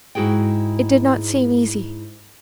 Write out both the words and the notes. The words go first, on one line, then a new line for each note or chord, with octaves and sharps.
It did not seem easy.
G#2 E4 F#4 G#4 G5